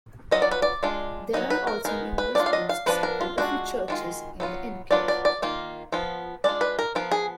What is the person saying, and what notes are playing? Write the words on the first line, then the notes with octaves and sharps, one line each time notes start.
There are also numerous mosques and a few churches in the enclave.
F#3 B3 F4 D#5
D5
B4
D5
G#3 D4 F4
F#3 B3 D#4 D#5
B4
A#4
G#3 B3 D#4 A#4
B4
F#3 D4 F4 D5
F5
D#5
F5
F3 B3 D4 F4 B4
A#4
F4
G#3 D4 F4 F#4
D#3 G#3 D4 F4
F#3 B3 F4
F#3 B3 D4 F4 D5
D5
D5
D#3 A#3 F4
F3 B3 F4
G#3 D4 F4 D5
B4
A#4
F3 B3 F4 A#4
G#4